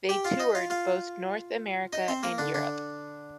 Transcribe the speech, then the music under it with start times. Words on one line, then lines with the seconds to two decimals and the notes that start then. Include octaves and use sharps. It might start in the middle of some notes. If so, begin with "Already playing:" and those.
They toured both North America and Europe.
0.09 G4 G5
0.25 F4 F5
0.40 D#4 D#5
0.55 F4 F5
0.70 F4 F5
1.93 D#4 D#5
2.08 C4 C5
2.23 A#3 A#4
2.38 D3 D4
2.54 D3 D4